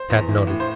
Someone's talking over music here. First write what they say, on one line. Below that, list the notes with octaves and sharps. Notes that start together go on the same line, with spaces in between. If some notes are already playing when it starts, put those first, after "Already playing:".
Tad nodded.
Already playing: C5
E2
E3
A2
C5